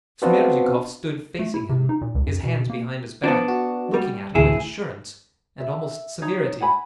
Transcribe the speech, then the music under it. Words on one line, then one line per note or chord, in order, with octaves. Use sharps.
Smerdyakov stood facing him, his hands behind his back, looking at him with assurance and almost severity.
B3 C4 D4 F4 F#4 B4
A3
E4
C3
D#4
A#2
C#2
F#2
B2
B2
A#3
F3 B3 D4
F#4
G3
A1 D2 E4 G#4
E5
D#4 C#5 A#5
F#5 G#5 B5